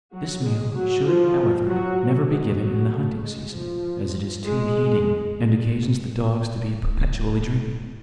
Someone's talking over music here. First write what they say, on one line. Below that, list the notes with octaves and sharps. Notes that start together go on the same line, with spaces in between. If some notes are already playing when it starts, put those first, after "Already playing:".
This meal should, however, never be given in the hunting season, as it is too heating, and occasions the dogs to be perpetually drinking.
F#3 F#4
G#3 G#4
F#3 F#4
F3 F4
F#3 F#4
G#3 G#4
F#3 F#4
A3
G#3
F3
G#3